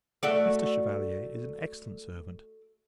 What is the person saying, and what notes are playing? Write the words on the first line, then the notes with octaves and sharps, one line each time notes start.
Mr. Chevalier is an excellent servant.
A3 F#4 D5